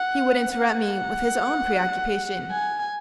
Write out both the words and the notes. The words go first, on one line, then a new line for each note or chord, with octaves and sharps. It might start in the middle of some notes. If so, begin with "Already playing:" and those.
He would interrupt me with his own preoccupation.
Already playing: F#5
F#5
G#5